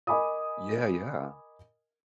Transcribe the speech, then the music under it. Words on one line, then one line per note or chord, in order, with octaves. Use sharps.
Yeah, yeah.
A#4 D#5 G#5 B5 D6 D#6